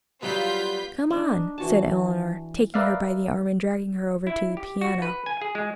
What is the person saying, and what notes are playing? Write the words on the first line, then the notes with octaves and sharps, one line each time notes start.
"Come on," said Eleanor, taking her by the arm and dragging her over to the piano.
F#3 G3 B3 F4 G6 B6
D4 D#4
E3 F#4 A5
A#4 B4 D5 E5 F5
E4
G4
F#4
B4
G#5
G#4
G#3